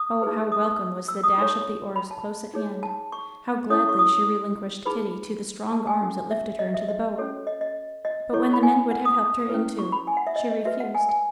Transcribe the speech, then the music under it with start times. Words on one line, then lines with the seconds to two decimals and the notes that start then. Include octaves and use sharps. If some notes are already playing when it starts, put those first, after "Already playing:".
Oh, how welcome was the dash of the oars close at hand, how gladly she relinquished Kitty to the strong arms that lifted her into the boat! But when the men would have helped her in too, she refused.
Already playing: D#6
0.22 D#4 G#4 B4
0.52 D#6
1.08 E6
1.24 D#6
1.38 D#4 A4 C#5 C#6
1.96 B5
2.11 A5
2.54 D#4 G#4 C#5
2.83 A5
3.12 C#6
3.70 C#4 E4 A4 C#5 D#6
3.89 C#6
3.99 D#6
4.86 D#4 G#4 B4 B5
5.72 A5
5.87 G#5
6.01 C#4 F#4 A4
6.31 E5
6.59 D#5
6.74 E5
6.89 D#5
7.18 C#4 F#4 A4 C#5
7.47 D#5
7.61 D#5
8.05 D#5
8.33 E4 A4 C#5 C#6
8.43 C#6
8.53 B5
8.63 G#5
8.91 F#5
9.05 D#6
9.49 C#4 E4 B4
9.79 C#6
9.92 B5
10.07 G#5
10.17 F#5
10.27 E5
10.36 D#5
10.51 D#5
10.65 F#4 B4 E5
10.80 F#5
10.95 G#5
11.09 G#5